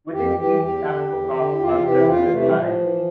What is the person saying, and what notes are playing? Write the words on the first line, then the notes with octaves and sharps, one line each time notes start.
Within each ascocarp are several asci.
F2 G4
E3 G4
E2 G4
D3
E2
D3
E4
E2 F4
C3 E3 G4
E4
E2 F4
C3 E3 A3
G3
A2 F3
E3